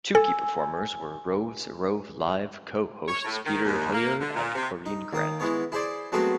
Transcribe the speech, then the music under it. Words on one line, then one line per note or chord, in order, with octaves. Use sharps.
Two key performers were Rove's Rove Live co-hosts Peter Helliar and Corinne Grant.
A4 G#5 E6
C#5
A2
D#3
D#2
A#3
D3
A#2
C3
D#4
D#2 A#3 D#6
E3 G#3 B3 C#5
E4 G#4 C5 D5
F#3 G#3 A3 B3 C4 F#4